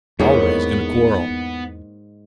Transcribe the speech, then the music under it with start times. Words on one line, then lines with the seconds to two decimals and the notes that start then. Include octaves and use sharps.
Always in a quarrel.
0.20 E2 G#2 G#3 A#3 B3 C#5